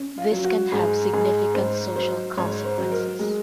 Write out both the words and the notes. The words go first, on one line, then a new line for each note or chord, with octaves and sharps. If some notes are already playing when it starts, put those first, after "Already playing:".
This can have significant social consequences.
Already playing: C#4
F4
F#3
F#4
G#2 G#4
G#2 G#4
G#2 C5
F#3 C5
G#2 C#5
C5
F#3
A#4
G#3